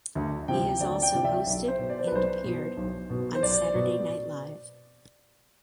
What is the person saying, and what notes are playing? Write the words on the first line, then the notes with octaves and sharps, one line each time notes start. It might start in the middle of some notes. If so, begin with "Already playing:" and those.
He has also hosted and appeared on "Saturday Night Live".
D2
C3 F3 G5
D2 D5
G5
C3 F3 D5
E5
B1
C5
B2
D5
C5
B4
B1 C5
B2
B1
B2
C5
B1 D5
B2